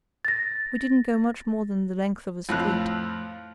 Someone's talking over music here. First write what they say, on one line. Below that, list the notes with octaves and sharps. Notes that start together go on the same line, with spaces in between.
We didn't go much more than the length of a street.
A6 A#6
F2 A2 F3 F4 F5 F#6